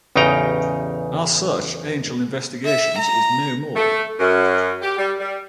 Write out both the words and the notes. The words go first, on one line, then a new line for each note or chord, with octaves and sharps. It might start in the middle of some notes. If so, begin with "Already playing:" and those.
As such, Angel Investigations is no more.
A1 E2 C#3 D#4 G5 A#5
E5
A#5
A3
F#2
G4
G3
G3